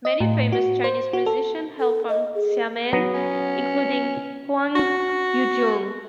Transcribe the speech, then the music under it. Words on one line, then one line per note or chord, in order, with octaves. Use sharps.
Many famous Chinese musicians hail from Xiamen, including Huang Yujun.
D#5
A2
F#4
C5
F#4
A4
A4
D#5
G#4
F#3 B3 A#5
C#4
F#4